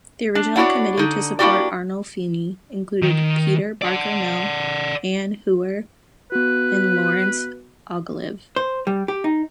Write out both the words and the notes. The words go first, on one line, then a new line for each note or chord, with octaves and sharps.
The original committee to support Arnolfini included Peter Barker-Mill, Ann Hewer, and Lawrence Ogilvie.
D4
D4 E4 F#4 C#5 D5
D3 D#4
A#3 D4 E4 F#4 G4 D5
D#3
D5 F#5
B3 F#4 B4
C5
G3
G4
D#4